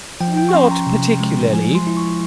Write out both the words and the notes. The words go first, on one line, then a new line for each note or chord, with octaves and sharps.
"Not particularly."
F3 G5
G5
C#6
C#4 C6
A#5
C3
G#3
F3 G#5
C6
E4
C#6